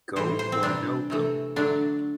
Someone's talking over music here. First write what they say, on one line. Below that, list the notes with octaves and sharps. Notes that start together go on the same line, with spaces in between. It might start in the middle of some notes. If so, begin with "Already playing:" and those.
Go Or No Go?
A2 E3 G3 C5
C5
C4
C3 E3 G3 D4
C3 E3 A3
D3 F#3 A3 D4